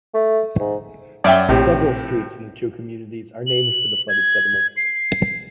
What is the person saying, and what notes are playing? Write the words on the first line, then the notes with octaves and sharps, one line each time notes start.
Several streets in the two communities are named for the flooded settlements.
A3
G#2
F#2 D5 E5 G5
A#1 A2 C3
F#7
G#6
C7